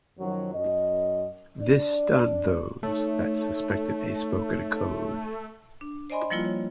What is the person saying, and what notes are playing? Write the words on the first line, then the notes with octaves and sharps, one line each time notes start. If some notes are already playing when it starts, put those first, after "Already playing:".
This stunned those that suspected a spoken code.
F#2 D#3 F3 F#3
F#2 D#5
D4 D5
A3 D#4 C#5
D4
C5 D5 D#5 G#5 B5 C6
F3 G3 A#3 E4 F4
C#5